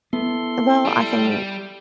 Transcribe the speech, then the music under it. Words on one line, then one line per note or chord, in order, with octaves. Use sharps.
Well, I think
B3 E4 A4 C6
G3